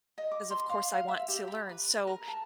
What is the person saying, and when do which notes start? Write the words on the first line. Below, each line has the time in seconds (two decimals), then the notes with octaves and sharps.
of course, I want to learn, so,
0.18 D#5
0.32 D6
0.51 C6
0.69 F5
0.93 F5
1.08 E5
1.28 G4
1.48 B5
1.69 B4
2.07 A#4
2.28 A5